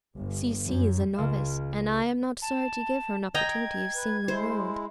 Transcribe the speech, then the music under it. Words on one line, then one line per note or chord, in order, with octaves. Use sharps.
C---- C---- is a novice, and I am not sorry to give her an opportunity of seeing the world.
G1
F#2
C#2 F5 E7
A5
D#5 G5 A#5 G#6
B4
G#3 E4 C5